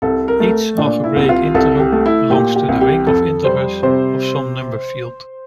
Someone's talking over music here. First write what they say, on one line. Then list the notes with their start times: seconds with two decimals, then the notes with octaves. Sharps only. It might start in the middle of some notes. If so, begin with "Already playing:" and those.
Each algebraic integer belongs to the ring of integers of some number field.
0.02 C2 A4
0.28 A#4
0.40 A3
0.78 A#2 D4
1.04 E4
1.16 C2
1.29 F4
1.54 C2 A4
1.80 G4
1.92 A3
2.06 E4
2.30 A#2 G4
2.56 G4
2.69 C2
2.81 G4
3.07 F2 A4
3.44 G3 C5
3.83 C3 C5